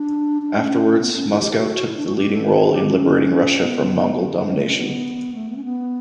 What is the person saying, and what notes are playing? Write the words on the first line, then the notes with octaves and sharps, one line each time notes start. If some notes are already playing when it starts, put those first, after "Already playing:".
Afterwards, Moscow took the leading role in liberating Russia from Mongol domination.
Already playing: D4
D4
C#4
B3
C#4
E4
G4
F#4
F#4
E4
D4
F#4
G4
A4
B4
C#5
B4
G4
C#4
B3
C#4
A3
C#4
B3
A3
B3
C#4
B3